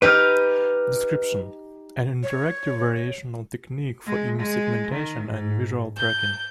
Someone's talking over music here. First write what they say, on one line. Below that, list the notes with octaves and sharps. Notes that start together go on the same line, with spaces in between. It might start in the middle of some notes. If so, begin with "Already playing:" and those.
Description: An interactive variational technique for image segmentation and visual tracking.
D#4 G4 B4 F6
C#5
G#3
G#3
D#3
G#2
G6